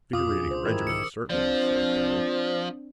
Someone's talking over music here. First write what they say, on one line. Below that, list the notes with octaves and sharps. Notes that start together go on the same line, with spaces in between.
"Invigorating regimen, certainly!" said Bell.
F2 B2 F4 D6 D#6
C#4 D4 G#4
C5
G#2 D#3 E3 E4 G4 A#4
E6 C#7
F3 C4 D4 C5 D5